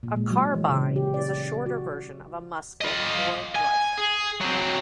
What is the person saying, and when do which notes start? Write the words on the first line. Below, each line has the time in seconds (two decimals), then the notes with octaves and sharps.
A carbine is a shorter version of a musket or rifle.
0.03 A#2
0.16 G#3
0.31 F#3
0.54 E3
0.70 C#3
0.96 G4
1.14 D5
1.66 F#4
2.81 F4 D#5
3.55 G#5
3.98 G#4
4.41 F#3 C4